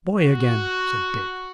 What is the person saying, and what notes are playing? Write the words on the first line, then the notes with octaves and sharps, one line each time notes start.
"Boy again!" said Dick.
F#4